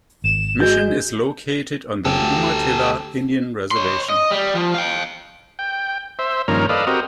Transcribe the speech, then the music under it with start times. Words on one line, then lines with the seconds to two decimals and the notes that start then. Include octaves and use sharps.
Mission is located on the Umatilla Indian Reservation.
0.24 G#1 E7
0.60 G#3 F#4 G6
2.05 F#1 C#3 C4 G4 A4
2.18 D2 A3
3.71 C#5 C6
4.10 D#5
4.31 G3
4.55 F3
4.74 F5 G5
5.59 G5
6.19 C5 E5
6.48 G2 D#3 F3 A#3 C#4 A#4
6.69 A4 B4 D5 D#5 F5
6.87 C4 F#4 G4 A#4 D#5